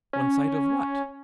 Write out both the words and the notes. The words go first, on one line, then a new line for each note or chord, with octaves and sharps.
'One side of WHAT?
C#4